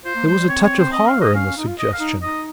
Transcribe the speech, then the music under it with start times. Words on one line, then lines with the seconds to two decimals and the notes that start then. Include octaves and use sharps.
There was a touch of horror in the suggestion.
0.05 F4 C5
0.15 A#3
0.26 G#3 C5
0.38 G3
0.48 C4 C#5
0.63 C#5
0.78 C5
0.92 D#5
1.07 F5
1.21 D#5
1.35 C#4 F5
1.46 C#4
1.57 D#4
1.68 F4
1.79 D#5
1.93 F5
2.00 D#4
2.22 D#4 D#5